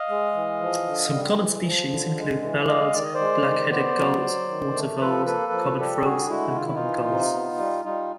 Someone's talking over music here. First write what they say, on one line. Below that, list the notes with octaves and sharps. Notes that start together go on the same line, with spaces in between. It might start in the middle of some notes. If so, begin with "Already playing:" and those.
Some common species include mallards, black-headed gulls, water voles, common frogs and common gulls.
Already playing: D#5 F5
G#3
E3
F3
D3
G3
E3
F3
D3
G#3
E3
G#3 D#5 F5
D#3 D5
D#5
C5 D5
G#3
D#3
B3 C5 D5
F#3
F#3
D#3
A3
F3 A4 B4
A#3 A4 B4
F3
G3 G4 A4
D3 F#4 G#4
G#3 E4 F#4
D#3 F4
E4
D#4 F4
E3
C3
B3
G3
G3 D#4 F4